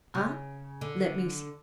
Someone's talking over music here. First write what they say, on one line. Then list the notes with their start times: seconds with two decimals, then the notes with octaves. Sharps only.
Ah! let me see!
0.15 C#3
0.81 D3